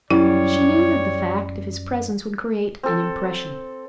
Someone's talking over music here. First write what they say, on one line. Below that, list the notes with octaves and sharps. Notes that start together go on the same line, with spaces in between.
She knew that the fact of his presence would create an impression.
F#2 G3 E4 C#5
C4 A4